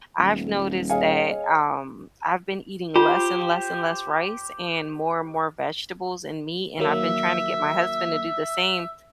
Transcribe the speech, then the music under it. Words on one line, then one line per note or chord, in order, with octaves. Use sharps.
I've noticed that, um, I've been eating less and less and less rice and more and more vegetables and meat, and I've been trying to get my husband to do the same,
D#1
G#4 C#5 D#5 F5 G#5
F4 G4 C5
D#3 F#3 A#3 E5